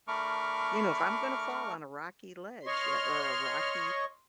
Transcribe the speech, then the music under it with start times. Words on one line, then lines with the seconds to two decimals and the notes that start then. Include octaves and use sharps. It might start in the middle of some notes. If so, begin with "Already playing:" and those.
You know, if I'm gonna fall on a rocky ledge, eh, or a rocky,
0.08 A3 D4 A#4 B5 C#6 D6 F6
2.67 C#5 D#5 C6 C#6 F6